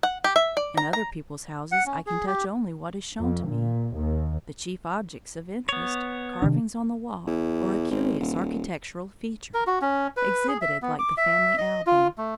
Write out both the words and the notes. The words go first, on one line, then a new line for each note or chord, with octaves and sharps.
In other people's houses I can touch only what is shown to me--the chief objects of interest, carvings on the wall, or a curious architectural feature, exhibited like the family album.
F#5
G4
E5
D5
A#5
A#5
F#5
C#4
G#4
G4
F2
A#2
D#2
B3 C#5
C3 D#3 D4
E2
G#1
D#1
A#4
F#4
C#4
B4
G#4
E5
B3
D6
E5
D#5
F4
A3